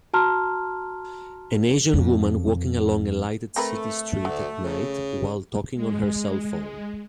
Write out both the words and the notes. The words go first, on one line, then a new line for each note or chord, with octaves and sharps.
An Asian woman walking along a lighted city street at night while talking on her cellphone.
F#4 A5 A#5 C6 F6
F2
A3 C4 A#4 B4
D2 F#3
C#3
G#3